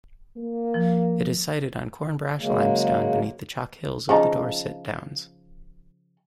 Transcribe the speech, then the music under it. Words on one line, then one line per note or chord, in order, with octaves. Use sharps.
It is sited on Cornbrash limestone beneath the chalk hills of the Dorset Downs.
A#3
F3
C#3 F#3 G#3 A#3
C#3 F3 D#4